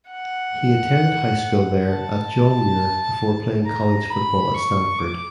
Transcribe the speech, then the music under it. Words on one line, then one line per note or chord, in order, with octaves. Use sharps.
He attended high school there at John Muir before playing college football at Stanford.
F#5
A5
A#5
B5
C#6
D6